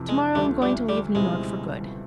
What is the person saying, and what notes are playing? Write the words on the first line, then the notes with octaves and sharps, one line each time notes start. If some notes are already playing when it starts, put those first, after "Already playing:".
To-morrow I'm going to leave New York for good.
Already playing: F2 C3 E3
G#3
D2 D3 F3 G3
G3
G3
C#2 B2 G3 G#3 C4 E4